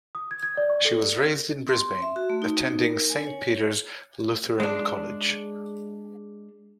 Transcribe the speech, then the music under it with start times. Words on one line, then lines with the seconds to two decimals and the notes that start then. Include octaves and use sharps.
She was raised in Brisbane, attending Saint Peter's Lutheran College.
0.15 D#6
0.31 G#6
0.43 G#6
0.57 D5
0.70 C#6
0.85 A4
1.68 C6
2.02 E5
2.16 F#4
2.30 A3
2.42 D#4
2.81 A#4
3.10 G#5
3.27 C#5
4.60 G#3 D4